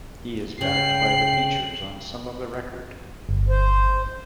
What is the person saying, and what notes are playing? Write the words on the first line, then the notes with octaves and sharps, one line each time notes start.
He is backed by the Features on some of the record.
C#3 G5 C7 F#7
G1
C5